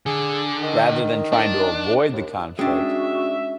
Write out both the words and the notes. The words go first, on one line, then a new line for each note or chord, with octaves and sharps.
rather than trying to avoid the conflict,
D3 G#4
D#3
D4
D#2
G#3 C#4 D4 F#4 E5 G5